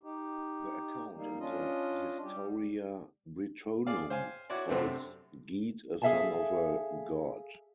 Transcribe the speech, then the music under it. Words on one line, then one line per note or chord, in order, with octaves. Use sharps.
The account in the "Historia Britonum" calls Geat a son of a god.
D#4 G4
G3 A#3 D#4
C#4 D4 F4 D#5
G3 G4
G#4 D5 F5
C5 F5 G#5
E4 F#4 C#5 D5
F#2 C3 A3 C4 D4
G#4 A4 E5 F5 G#5 A5